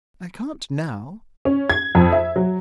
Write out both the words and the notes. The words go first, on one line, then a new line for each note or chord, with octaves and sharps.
"I can't now."
C#4
G#6
F2
E5
F#3